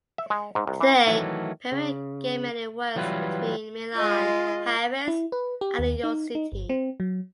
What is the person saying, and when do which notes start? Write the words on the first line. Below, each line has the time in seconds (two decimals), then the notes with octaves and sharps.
Today Piero Gemelli works between Milan, Paris, and New York City.
0.18 E5
0.30 G#3
0.55 G#2
0.67 C2
0.80 E3
1.07 D#3 E3 F#3 A3
1.72 C#3
2.96 E3 F#3 G3 F4 B4
3.96 G#3 F4 D#5
5.08 E4
5.32 B4
5.61 G4
5.79 D#2
6.04 D#4
6.35 D#4
6.52 G1
6.69 C4
7.00 F#3